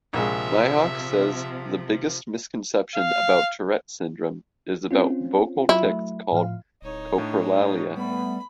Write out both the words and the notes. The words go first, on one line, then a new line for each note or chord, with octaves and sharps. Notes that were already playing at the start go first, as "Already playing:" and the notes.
Mihok says the biggest misconception about Tourette's Syndrome is about vocal tics, called coprolalia.
A#1 C3 F3 G#3 E5
F5
C4 C#4 F4
F#3 E4 F4
F#3 A3
A2 F3 F5
D1 D#4 C#5
A2 D4
G3 A3 B3 B5